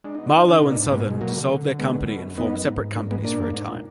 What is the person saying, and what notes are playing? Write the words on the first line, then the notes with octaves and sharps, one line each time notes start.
Marlowe and Sothern dissolved their company and formed separate companies for a time.
G#2 D4
B2 D#4
D4
D#3 D#4
B2
D3 D4
B2 D#4
A#3 D4
G#2
F#2
G#2 G#3 B3
B2 G#3
A#2 F#3 A#3
B2
D3
G#3 B3
B2
F#2
F2 B3 D#4
F#2
G#2
A#3 D4
G#3 B3
A#2 A#3 D4
F#2
G#2
A#2